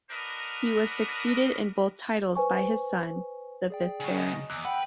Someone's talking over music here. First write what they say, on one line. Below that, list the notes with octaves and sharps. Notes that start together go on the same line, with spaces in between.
He was succeeded in both titles by his son, the fifth Baron.
D4 F#4 A#4 B4 D#5
B4 C5 G#5 C#6
G#4 D5 G5
C#3 F#3
D#5
C#3
E2 E6 F#6
B4 F#5 G5